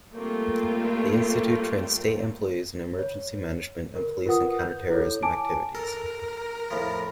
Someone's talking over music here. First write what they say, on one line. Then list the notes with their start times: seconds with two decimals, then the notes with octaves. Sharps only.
The institute trained state employees in emergency management and police in counter-terrorism activities.
0.12 G3 A3 A#3 C4 F4
2.99 C#5
3.95 A#4
4.26 F4 A#4 B4 F#5 D#6
4.59 G6
4.90 E4 A4 C#5
5.23 G#5 A5 D6 D7
5.75 A4 A#4
6.71 F2 A2 F3